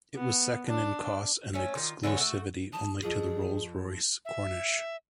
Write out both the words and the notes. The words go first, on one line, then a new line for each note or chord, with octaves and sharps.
It was second in cost and exclusivity only to the Rolls-Royce Corniche.
B3
D4
A3 C#4
D#3 F4
D3 E3 A3 C#5
A3 F#4
A5 D#6
F2 F4 G#4 D#7
E5